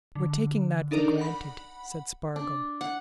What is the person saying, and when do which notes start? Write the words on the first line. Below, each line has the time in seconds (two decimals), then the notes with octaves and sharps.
"We're taking that for granted," said Spargo.
0.15 D3
0.91 D4 D#4 A4 A#4 D5
1.18 F#5 B5
2.36 D4
2.81 F#5